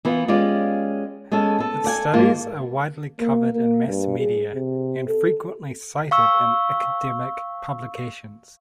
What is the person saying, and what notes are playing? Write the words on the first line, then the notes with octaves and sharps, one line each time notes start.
Its studies are widely covered in mass media and frequently cited in academic publications.
E3 B3 F4
G#3 C#4 F4 G4 D5
G#3 B3 C#4 A4
B3 A4
A4 D5 F#5 G#5
G#2 A#3 F4
A#3
A#3
G2
G#4
C3
A4
F5 C#6 E6